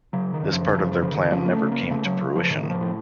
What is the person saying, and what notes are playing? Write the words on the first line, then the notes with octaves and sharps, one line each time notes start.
This part of their plan never came to fruition.
C#3 F#3
D#3
F#2
F3
D#3
C#3 F3
F3
C#3 F3
D#3
C#3 F3
A#3
A3
C#3
A#3
C#3 A3
F#3
C#3
F3
A2 D#3
D#3
F3
A2